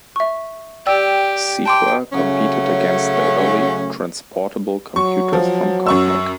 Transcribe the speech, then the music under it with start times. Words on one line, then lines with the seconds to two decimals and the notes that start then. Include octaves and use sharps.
Seequa competed against the early "transportable" computers from Compaq.
0.16 E5 C#6
0.86 G4 D5 G5 E6
1.66 G5 A5 C6 D6
2.13 C#3 F#3 A3 C#4
4.96 F#3 C#6
5.33 F3
5.86 F#2 C#6 E6